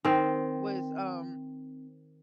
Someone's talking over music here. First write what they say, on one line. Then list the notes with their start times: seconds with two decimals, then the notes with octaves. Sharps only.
was, um,
0.05 D#3 C4